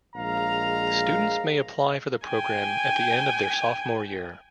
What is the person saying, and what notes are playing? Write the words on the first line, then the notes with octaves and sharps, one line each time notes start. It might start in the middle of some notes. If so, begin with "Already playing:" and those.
Students may apply for the program at the end of their sophomore year.
A#1 G#3 F5 A#5
G5 G#5